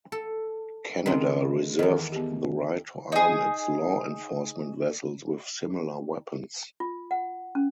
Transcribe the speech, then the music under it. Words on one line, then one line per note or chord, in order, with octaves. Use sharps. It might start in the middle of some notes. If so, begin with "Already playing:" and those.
Canada reserved the right to arm its law enforcement vessels with similar weapons.
A4
D#3 G#3 C4 C#4
E2 D#3 D#5
B3 G4
D#4 G#4
F4
F#5
C#4